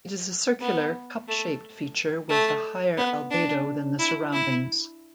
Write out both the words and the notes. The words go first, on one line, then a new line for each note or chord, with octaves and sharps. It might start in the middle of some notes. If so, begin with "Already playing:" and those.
It is a circular, cup-shaped feature with a higher albedo than the surroundings.
B3
A3
A3
B3
D4
E4
E4